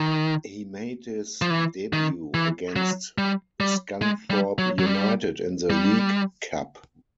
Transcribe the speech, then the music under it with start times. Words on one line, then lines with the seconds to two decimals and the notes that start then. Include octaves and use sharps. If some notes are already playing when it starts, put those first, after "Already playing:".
He made his debut against Scunthorpe United in the League Cup.
Already playing: D#3
1.42 F3
1.50 E3
1.93 D#3
2.34 E3
2.76 F#3
3.18 G3
3.60 G3
4.02 G#3
4.31 G3
4.58 F#3
4.79 F#3
4.86 G3
5.70 G3